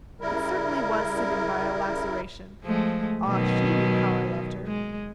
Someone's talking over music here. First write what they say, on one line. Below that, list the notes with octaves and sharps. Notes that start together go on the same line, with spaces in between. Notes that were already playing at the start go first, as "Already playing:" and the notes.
It certainly was sitting by a 'laceration.' Ah, she knew how I loved her!
C#3 G3 E4 A#4
F3 G#3 A3
B2 D#3 F#3
G#3